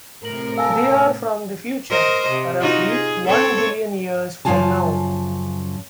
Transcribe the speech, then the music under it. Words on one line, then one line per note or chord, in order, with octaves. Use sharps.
They are from the future: roughly one billion years from now.
A2 C3 A#4 F#7
A4 F5 G#5
A#4 C5 D#5
C3
D#4 F4 F#4
G#4
C4 A4 C#5
F#2 C#3 F3 F4 G#5 A5